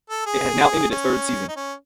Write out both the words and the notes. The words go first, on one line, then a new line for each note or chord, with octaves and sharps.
It has now ended its third season.
A4
G#4
C#4
D#4
C#4